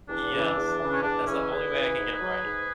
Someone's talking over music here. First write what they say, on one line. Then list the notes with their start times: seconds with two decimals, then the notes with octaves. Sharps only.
Yes, that's the only way I can get 'em right.
0.09 E2 D4
0.32 C#3 E3
0.56 E2
0.79 C#3 E3
0.92 C#4
1.02 E2 D4
1.26 C#3 E3 C#4
1.49 E2 G#4 B4
1.73 C#3 E3
1.97 G#2
2.20 F#3
2.44 G#2